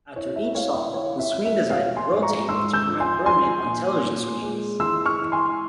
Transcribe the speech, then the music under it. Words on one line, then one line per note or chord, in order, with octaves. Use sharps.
After each song, the screen design will rotate to prevent burn-in on television screens.
E4 C#5
E5
E4 C#5 F5
E5 G5
E4 C#5 F5
E5
E4
E5
F3 C#5 F5
G#5 C6
G#2
A#5 C#6
G#2 C6 E6
E6 G6
F3
G#5 C6
F3 G#5 C6
A#2
A#2
G#3
E3 C6 E6
C#6 F6
E3
G#5 C6